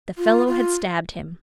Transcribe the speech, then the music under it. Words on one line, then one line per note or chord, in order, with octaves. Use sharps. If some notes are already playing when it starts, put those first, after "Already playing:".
The fellow had stabbed him.
F4
F4